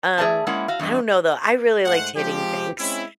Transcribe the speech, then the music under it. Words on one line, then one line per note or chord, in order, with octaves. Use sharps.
Um, I don't know, though, I really liked hitting things.
A3 G#4 B4 D5 E5 A5
G#3 A#3 C#4 E4 F#5
F#4 F5
E2 G2 G3 D#5
G#2 G#3 A3 C5 F#5
F3 G#3 C4 G4
G#3 C4 C#4 E4